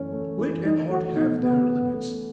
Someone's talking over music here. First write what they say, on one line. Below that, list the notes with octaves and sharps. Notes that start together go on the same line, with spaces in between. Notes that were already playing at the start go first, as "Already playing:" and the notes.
Wit and art have their limits.
Already playing: F#2 E3 A3 C#4
A3
E3
C#4 D#4
A3 F#4
B2 D#4
B2 B3
C#4
A3